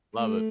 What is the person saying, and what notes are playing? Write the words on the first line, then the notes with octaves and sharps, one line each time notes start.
Love it.
A3